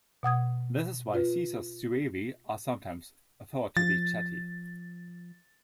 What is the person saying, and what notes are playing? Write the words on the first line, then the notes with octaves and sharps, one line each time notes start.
This is why Caesar's Suevi are sometimes thought to be Chatti.
B2 F#5 D#6 G#6
F4 B4
F3 A6